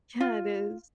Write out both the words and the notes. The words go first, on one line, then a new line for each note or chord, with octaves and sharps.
Yeah it is.
F4